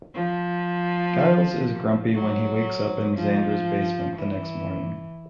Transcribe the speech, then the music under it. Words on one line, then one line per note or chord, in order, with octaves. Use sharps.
Giles is grumpy when he wakes up in Xander's basement the next morning.
F3
F#3
F3
E3